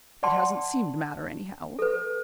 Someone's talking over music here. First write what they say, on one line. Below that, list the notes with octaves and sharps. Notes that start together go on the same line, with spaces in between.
"It hasn't seemed to matter, anyhow."
D5 F#5 G5 A5 C6
A4 B4